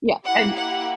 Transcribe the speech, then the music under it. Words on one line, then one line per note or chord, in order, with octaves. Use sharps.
Yeah, and
A#3 E4 G4 F#5
F#5